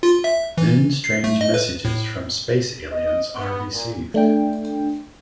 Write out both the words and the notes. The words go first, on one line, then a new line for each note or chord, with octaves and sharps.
Then strange messages from space aliens are received.
F4
E5
E3
C7
A3
D#5
B4
A2
D#5
B3
A#2
A3 D4 G5